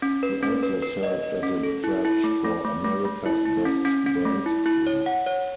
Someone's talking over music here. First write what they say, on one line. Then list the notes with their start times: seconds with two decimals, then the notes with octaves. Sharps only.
He also served as a judge for "America's Best Dance Crew".
0.02 C#4
0.23 B4
0.43 C#4
0.63 B4
0.82 B4
1.03 D#5
1.23 D#5
1.43 C#4
1.63 A4
1.84 E4
2.05 E4
2.24 A3
2.44 A3
2.65 A3
2.85 A3
3.05 A3
3.25 E4
3.46 E4
3.65 C#4
3.85 C#4
4.06 C#4
4.25 A3
4.46 E4
4.66 E4
4.87 C#5
5.06 F#5
5.27 C#5